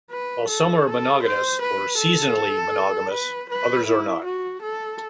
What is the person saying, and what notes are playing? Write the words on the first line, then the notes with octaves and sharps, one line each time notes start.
While some are monogamous or seasonally monogamous, others are not.
B4
A4
A4
C5
B4
A4
B4
B4
E4
F#4
A4